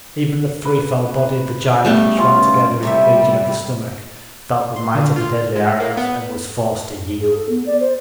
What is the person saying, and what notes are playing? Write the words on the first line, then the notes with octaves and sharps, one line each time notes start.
Even the threefold body of the giant which ran together in the region of the stomach, felt the might of the deadly arrows and was forced to yield.
B4
C#3 G3 A3 B3
C#4 F4 B4
C3 G3 A3 E4 E5
C6
D3
F4
G#3
A#3
B3
G#4
A4
B3
D5
C5